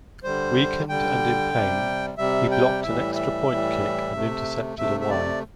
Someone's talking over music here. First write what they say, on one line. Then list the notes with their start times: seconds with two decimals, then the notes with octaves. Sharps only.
Weakened and in pain, he blocked an extra point kick and intercepted a Y.
0.24 D3 G3 C5
0.89 D3 G3 G5
1.54 C3 G3
2.18 C3 G3 E5
2.51 G5
2.83 A2 E3 G3 E5
3.15 E5
3.48 A2 E3 G3
4.13 C3 A3
4.77 C3 A3 E5
5.00 E5
5.10 D5